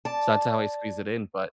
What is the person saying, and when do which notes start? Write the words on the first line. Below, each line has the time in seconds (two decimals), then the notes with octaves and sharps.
so, that's how I squeeze it in, but
0.05 D5 A5